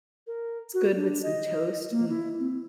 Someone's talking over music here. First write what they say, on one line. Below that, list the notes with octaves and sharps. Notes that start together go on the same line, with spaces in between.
It's good with some toast. Mm.
A#4
F#4
D4
D#5
A#3
E4
C4